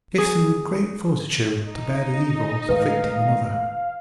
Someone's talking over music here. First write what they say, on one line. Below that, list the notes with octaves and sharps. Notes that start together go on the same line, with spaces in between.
Gifted with great fortitude to bear the evils afflicting another.
G#4
D#4 D#5
A2 D#3 G#3 B4 F5